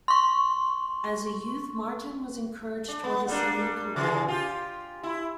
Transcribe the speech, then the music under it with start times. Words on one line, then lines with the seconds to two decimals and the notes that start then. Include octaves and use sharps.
As a youth Martin was encouraged toward a singing career.
0.08 C6 C#6
2.88 D4
3.04 B3
3.28 G3 A#3 D4
3.96 C#3 E3 G#4
4.28 F4 G4
5.03 E4